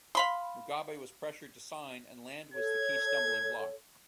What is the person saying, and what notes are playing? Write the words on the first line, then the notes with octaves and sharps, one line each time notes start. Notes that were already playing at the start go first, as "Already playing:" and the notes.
Mugabe was pressured to sign and land was the key stumbling block.
F5 B5 C6
A4 C#5 G#6